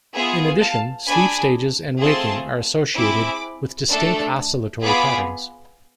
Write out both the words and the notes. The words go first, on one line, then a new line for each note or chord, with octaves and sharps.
In addition, sleep stages and waking are associated with distinct oscillatory patterns.
B3 F4 G#4 E5 G#5
F5 A5
D4 G#4 G#5 B5
A3 C4 F4 G#4 A5 C6
C4 E4 G#4 B5 D6
A3 D4 A4
B3 F4 G#4 B5 D6